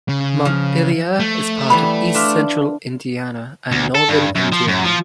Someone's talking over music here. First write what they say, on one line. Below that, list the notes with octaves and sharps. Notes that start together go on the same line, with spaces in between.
Montpelier is part of East Central Indiana and Northern Indiana.
C#3
F3
A3
E3 G3 B3 B5
D4 F4 E5
D2
A4
G2
F#2
F3
F#2
F3